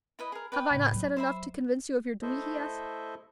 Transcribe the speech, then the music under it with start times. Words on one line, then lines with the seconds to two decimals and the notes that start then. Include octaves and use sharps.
"Have I not said enough to convince you of your duty?" he asked.
0.19 E4 B4 D#5
0.32 G#4 A#4
0.52 B4 D5 G5
0.70 A2 C#3
0.93 F#3
1.16 C5 E5 B5
2.22 A3 E4 A4 C5 D#5 E5